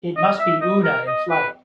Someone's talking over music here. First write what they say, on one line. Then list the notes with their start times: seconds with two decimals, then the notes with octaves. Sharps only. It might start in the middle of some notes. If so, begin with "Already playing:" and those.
It must be Oona in flight.
0.17 D#5
0.39 E5
0.61 D#5
0.84 A#4
1.07 D#5
1.30 B4